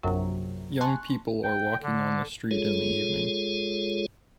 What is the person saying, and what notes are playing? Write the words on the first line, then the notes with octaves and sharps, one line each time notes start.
Young people are walking on the street in the evening.
A#1 F#2 C3 F#3
G#5 A5 C6 C#6 F#6
G5
D3
G#3 F4 G#4 A4 C#5